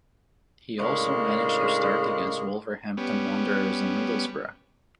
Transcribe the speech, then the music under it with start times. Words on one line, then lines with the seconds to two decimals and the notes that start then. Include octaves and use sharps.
He also managed to start against Wolverhampton Wanderers and Middlesbrough.
0.79 A2 C#3 G#3 A#3 D4
2.97 G3 B3 C#4